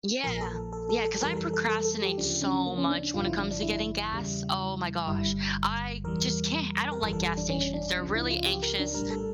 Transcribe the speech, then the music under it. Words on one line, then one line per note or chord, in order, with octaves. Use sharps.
Yeah. Yeah, cause I procrastinate so much when it comes to getting gas. Oh my gosh, I just can't. I don't like gas stations, they're really anxious
A#1 A#2 F3 A#4
A4
A4
A4
A4
F2 E3 G3 A#4
A4
A4
A4
A4
G4
D2 C#3 F3 D4
C#4
A#3
C#4
D4
A1 G2 D3 F3 F4
E4
D4
D4
E4
E2 C#3 G3
G1 G2 D3 G3 E4
E2 E3 G3 A#4
A#4
G1 F2 E3 G3 A4
A4
D4
C#4
D4
C#2 C#3 F3 D4
E4
F4
G4
A#4
D4
A#1 A2 G3 A#4
A4